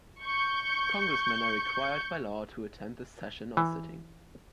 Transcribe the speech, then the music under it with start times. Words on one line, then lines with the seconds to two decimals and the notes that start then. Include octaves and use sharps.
Congressmen are required by law to attend the session/sitting.
0.21 C#6 G6
3.57 E3